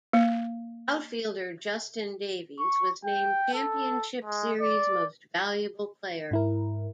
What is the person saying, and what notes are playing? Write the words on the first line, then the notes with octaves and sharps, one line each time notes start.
Outfielder Justin Davies was named Championship Series Most Valuable Player.
A#3
C#6
G5
A4
G#3
D5
G#2 E4 A#4